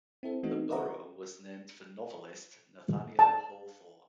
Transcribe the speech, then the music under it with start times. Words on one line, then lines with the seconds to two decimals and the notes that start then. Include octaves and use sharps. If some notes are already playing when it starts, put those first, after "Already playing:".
The borough was named for novelist Nathaniel Hawthorne.
0.23 C4 E4 A4
0.43 E3 A3 B3 C4 D#4 F#4
0.70 B4 D#5 E5 F#5 A#5
3.19 A5